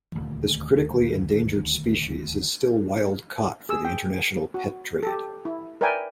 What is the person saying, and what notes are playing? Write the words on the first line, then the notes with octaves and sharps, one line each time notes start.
This critically endangered species is still wild-caught for the international pet trade.
D#1 D2
G#4 E6
G5
F#4
G4 A4
E4
A#4 B4 D5 E5 G5 G#5